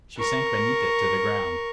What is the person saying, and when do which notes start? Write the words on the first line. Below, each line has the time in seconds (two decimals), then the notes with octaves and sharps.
She sank beneath it, to the ground.
0.17 A#4 C#6